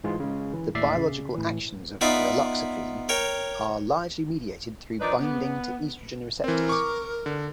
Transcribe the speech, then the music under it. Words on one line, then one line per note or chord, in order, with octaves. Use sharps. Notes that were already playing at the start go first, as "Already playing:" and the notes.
The biological actions of raloxifene are largely mediated through binding to estrogen receptors.
G#2 E3 G#3 F4
C#3 G#3
E3
D#2 A2 D5 E5 C7
C#3
A2 E3
B3 D#4 F4 D5 E5
A#4 C#5 G5
D#3 F3 D4 D#4 B4 D5
B3
E3 C4 A#4
C#6 D6
D3